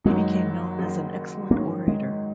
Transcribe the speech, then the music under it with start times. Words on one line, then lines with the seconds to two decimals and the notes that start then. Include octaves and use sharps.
He became known as an excellent orator.
0.04 F#1 F#2 D#3 F#3 G#3 D#4
0.79 F#1 F#2 D#3 F#3 D#4
1.51 G#2 D#3 F#3 A#3 C#4
1.88 G#3